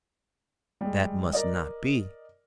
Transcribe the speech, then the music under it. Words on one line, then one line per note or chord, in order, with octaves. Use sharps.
That must not be!
G3 G#3
A#4 D5 D#5